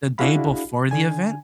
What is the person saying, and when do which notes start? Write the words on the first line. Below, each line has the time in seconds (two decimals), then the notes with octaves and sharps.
the day before the event,
0.18 D4 E4 F#4 G#4 F5 B5
0.91 D3 G#5